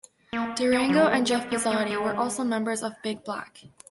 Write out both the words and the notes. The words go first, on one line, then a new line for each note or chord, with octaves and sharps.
Durango and Jeff Pezzati were also members of Big Black.
A#3
B3
F#3
G#3
A#3
B3
A#3
A#3
G#3